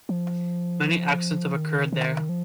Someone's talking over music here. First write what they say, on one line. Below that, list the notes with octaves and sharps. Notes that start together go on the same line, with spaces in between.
Many accidents have occurred there.
F3
D#3
D#3
F3